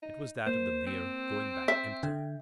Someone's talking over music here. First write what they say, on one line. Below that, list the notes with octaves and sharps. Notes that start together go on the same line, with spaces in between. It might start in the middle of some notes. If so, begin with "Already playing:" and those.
It was that of the mayor, going back empty.
D#4
A#3 C5
C4
E5
D3 G5